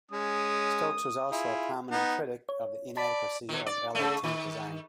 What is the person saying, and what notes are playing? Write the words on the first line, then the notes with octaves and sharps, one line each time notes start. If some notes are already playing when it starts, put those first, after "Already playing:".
Stokes was also a prominent critic of the inadequacy of Allied tank design.
G#3 C#4 D#6
E4 F4 G#4
B3 D#4 F#5
C#5
D5 A5 B5 B6
B2 D#3
D5
C#3 A3
D#3